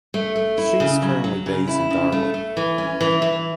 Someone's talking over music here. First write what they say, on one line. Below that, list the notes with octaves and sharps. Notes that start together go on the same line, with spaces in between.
She is currently based in Darwin.
A3
A3
E4
C#3
F#3
F#3
C#3
E4
C#3
A3
A3
E3
C#4
E3
E3